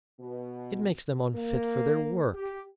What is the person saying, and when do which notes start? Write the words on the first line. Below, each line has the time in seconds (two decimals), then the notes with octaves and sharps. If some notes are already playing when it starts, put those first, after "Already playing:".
It makes them unfit for their work.
0.20 B2
1.35 A#3
2.32 G4